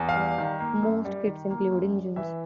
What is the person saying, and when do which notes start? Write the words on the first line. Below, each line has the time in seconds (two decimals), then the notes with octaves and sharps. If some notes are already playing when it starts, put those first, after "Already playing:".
Most kits include engines.
Already playing: E2
0.09 F5
0.16 G3
0.38 D#3
0.60 A#3
0.83 F#2
1.05 G3
1.27 D#3
1.50 A#3
1.72 F#2
1.95 G3
2.16 E3 E5